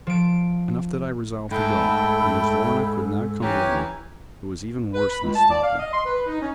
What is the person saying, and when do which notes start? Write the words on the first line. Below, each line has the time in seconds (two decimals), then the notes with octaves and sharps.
Enough that I resolved to go; and as Lorna could not come with me, it was even worse than stopping.
0.07 F3 D7
1.51 G#2 A3 A4 G5 B5
3.43 E3 C#4 G4 A#5
4.93 B4
5.10 B5
5.23 C#2
5.35 A5
5.50 D5
5.63 F5
5.79 D#5
5.93 C6
6.05 B4
6.27 D#4
6.41 C#4